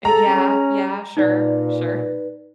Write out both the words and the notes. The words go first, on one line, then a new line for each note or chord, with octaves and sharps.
Eh, yeah, yeah. Sure, sure.
G#4 A4 A#5
C#4
A#2 D#4 B4 D5